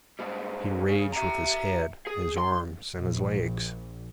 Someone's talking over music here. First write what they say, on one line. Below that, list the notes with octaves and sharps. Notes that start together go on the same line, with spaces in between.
He raged with his head, his arms, and his legs.
G#2 G3
C#3
E5 A#5
G#4
C6
A#1